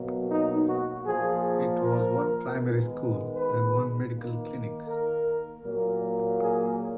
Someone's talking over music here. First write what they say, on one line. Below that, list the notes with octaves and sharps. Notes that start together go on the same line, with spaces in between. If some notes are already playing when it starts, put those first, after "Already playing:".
It has one primary school and one medical clinic.
Already playing: B2 F#3 A#3
D#4
F#4
A#2 F3 A#3 G#4
A#4
D#3 G#3 B3
B4
D#3 A#3
A#4
A#2 F#3 A#3
G#4